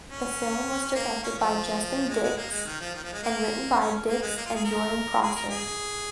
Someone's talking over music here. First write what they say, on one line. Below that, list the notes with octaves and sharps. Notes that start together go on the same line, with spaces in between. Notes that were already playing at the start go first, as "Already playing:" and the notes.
The film was directed by Justin Dix and written by Dix and Jordan Prosser.
C#4
A#3
C#4
F3
G#3
G#3
A#3
G#3
D#3
F3
D#3
F3
G#3
A#3
C#4
A#3
G#3
A#3
F4
G#4
A#4
G#4
A#4
G#4